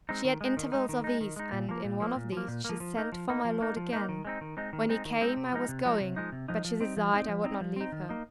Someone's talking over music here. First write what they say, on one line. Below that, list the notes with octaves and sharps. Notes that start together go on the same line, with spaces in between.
She had intervals of ease, and in one of these she sent for my lord again; when he came, I was going, but she desired I would not leave her.
G#3 C4 D#4
D#3
G#3 D#4
D#3
G#3 D#4
D#3
G#3 D#4
D#3
G#3 D#4
A#2
F3 A#3
A#2
F3 A#3
A#2
F3 A#3
A#2
F3 A#3
F3
A#3 D#4
F3
A#3 D#4
F3
A#3 D#4
F3
A#3 D#4
D#3
G#3 C4 D#4
D#3
G#3 C4 D#4
D#3
G#3 C4 D#4
D#3
G#3 C4 D#4
C3
F3 G#3 D#4
C3
F3 G#3 D#4
C3
F3 G#3 D#4
C3
F3 G#3 D#4
F3
C4 D#4
F3
C4 D#4
F3
C4 D#4
F3
C4 D#4
D#3
A#3 D#4